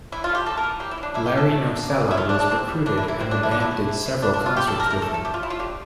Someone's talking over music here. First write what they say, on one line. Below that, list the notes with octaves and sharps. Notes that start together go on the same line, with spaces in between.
Larry Nocella was recruited and the band did several concerts with him.
E3 E4
F4
A3
G4
A#3 A4
A#4
E3
A#3 G4
E4
E3
D4
A#3 E4
G4
A#3
A4
A3
D3
A#3
A#3
E4
A3 F4
D4
E3
D4
A#3 C4
G3
E3 D4
E4
A#3
E4
D3 C4
D4
F3
E4
E3 D4
E4
A3
C3
C3
A#3 D4
D4
A#3
F4
G3 G4
A4
G3
A#4
A3 A#4
A4
A3
A4
A3 G4
F4
A3 E4
F4
D3 G4